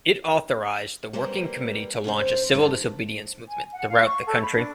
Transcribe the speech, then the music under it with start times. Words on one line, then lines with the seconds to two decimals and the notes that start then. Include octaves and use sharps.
It authorised the Working Committee to launch a civil disobedience movement throughout the country.
1.13 G3 A#3 B3 C5
2.04 G2 C3 C#4 C5
2.53 G2 A#2 D#3 A4 B4
3.47 G#5
3.73 F#5
3.89 F5
4.05 C#6
4.26 A4
4.42 B5
4.56 D4